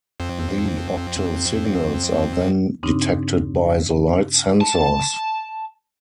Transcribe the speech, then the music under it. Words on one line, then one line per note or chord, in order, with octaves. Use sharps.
The octal signals are then detected by the light sensors.
F2 C4
G2 C#3 C4 D4 D#4
A5